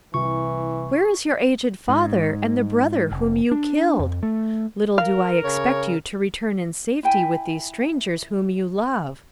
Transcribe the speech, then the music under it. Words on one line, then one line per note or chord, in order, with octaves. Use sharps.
Where is your aged father, and the brother whom you killed? Little do I expect you to return in safety with these strangers whom you love.
C2 E3 C#6
G#2
F1
D4
F2
A3
A#4 F5
C#3 C#5
E4 G5 G#5